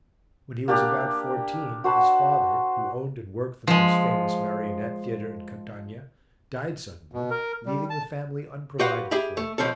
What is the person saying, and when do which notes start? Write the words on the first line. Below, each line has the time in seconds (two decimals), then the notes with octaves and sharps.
When he was about fourteen his father, who owned and worked the most famous marionette theatre in Catania, died suddenly, leaving the family unprovided for.
0.68 A#3 D4 G4
1.84 F#4 C5 A5 B5
3.67 F3 G#3
7.12 B2
7.30 A#4
7.66 G3
7.90 A5
8.79 F#4 G4 B4 C5 F5 F#5
9.11 G4 G#4 E5 G5 B5
9.37 A3
9.58 B1 F3 C4 C#4 A4